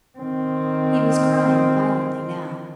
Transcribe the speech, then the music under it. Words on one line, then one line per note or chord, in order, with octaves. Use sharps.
He was crying violently now.
D#3 C4